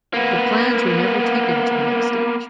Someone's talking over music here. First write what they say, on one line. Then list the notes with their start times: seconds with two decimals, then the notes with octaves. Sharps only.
The plans were never taken to the next stage.
0.14 A#3 B3